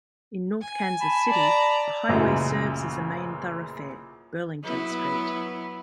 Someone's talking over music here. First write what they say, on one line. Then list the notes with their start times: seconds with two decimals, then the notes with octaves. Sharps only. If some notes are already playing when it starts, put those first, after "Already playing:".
In North Kansas City, the highway serves as a main thoroughfare, Burlington Street.
0.62 G#5
1.01 A5 B5
1.29 D5 A#5
2.09 A1 F#2 A#2 C#3
4.63 F#3 B3 E4